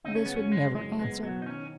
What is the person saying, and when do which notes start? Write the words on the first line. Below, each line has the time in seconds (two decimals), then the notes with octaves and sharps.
This would never answer.
0.05 C#3 D#4
0.15 C#4
0.26 F#2 B3
0.36 C#4
0.52 F#2 G#3
0.75 F#1 G#3
0.99 G#3 B3
1.23 B2 F#3
1.42 D#4
1.46 D#3 C#4